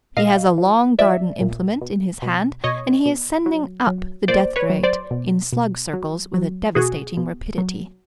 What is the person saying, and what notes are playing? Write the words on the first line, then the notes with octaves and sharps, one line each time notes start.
He has a long garden-implement in his hand, and he is sending up the death-rate in slug circles with a devastating rapidity.
A#2 D#5 F5
F3
F3 D5 E5
A#2
B2
B2
B2 C#5 D#5
B2
F#3
F#3
A#2 C5 D5
B4 C#5
F#3
C5 D5
B2
B2
F#3
F#3
B2 F#4 G#4
B2
F#3